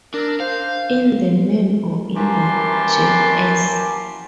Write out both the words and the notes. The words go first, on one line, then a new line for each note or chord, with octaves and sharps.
In the man or in the jackass?
D4 A#4
C5 F5
F#2 E3 A#3 G4 A5 C6